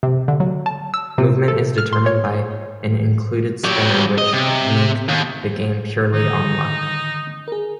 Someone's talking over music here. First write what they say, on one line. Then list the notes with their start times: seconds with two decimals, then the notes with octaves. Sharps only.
Movement is determined by an included spinner which make the game purely on luck.
0.03 C3
0.28 D3
0.40 F#3
0.66 A5
0.94 E6
1.18 C3
1.48 A4
1.78 F6
1.93 C6
2.06 C#5
3.64 F#3 G4
4.18 D#5
4.34 C3
5.09 D#2
6.13 D3 D#3 D#4
7.48 G#4 A#4